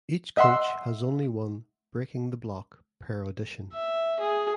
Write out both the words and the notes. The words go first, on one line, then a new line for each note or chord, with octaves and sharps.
Each coach has only one "Breaking The Block" per audition.
D#5 E5 F#5 C6 E6
E5
G#4